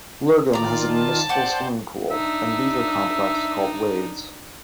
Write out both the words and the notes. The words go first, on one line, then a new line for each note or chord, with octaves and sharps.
Lurgan has a municipal swimming pool and leisure complex called Waves.
D#3 F4 D5 A#5
A5
C5 D5 F#5 G5
D4 D#4 E5